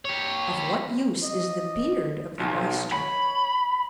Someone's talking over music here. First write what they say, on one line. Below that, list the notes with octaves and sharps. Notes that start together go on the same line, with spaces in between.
Of what use is the "beard" of the Oyster?
G4 C#5
D#5
B1 G#5
C#5 B5